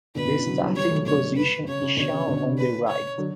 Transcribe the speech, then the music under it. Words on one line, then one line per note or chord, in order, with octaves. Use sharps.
The starting position is shown on the right.
B2 D3 B4
B2 D3
C#3 E3
D3 F#3
E3 G3
E3 G3 C#5
F#3 A3
B2 D3 C#5
B4
C#3 C#5
C#3
B2 D3 C#5
C#3
B2 D3
B4
C#5
D3 F#3